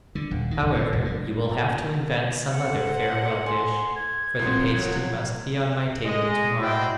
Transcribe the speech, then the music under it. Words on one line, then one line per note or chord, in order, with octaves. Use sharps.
However, you will have to invent some other farewell dish, for the pasty must be on my table to-morrow.'
D3
D#1
D#3
F1
A2
F1
G2
A4 C5 F#5
G#5 C6
G#6
C2 A#2 F3 C4
F#3
G#3 D#5
E4 F#4 C5 D5 G5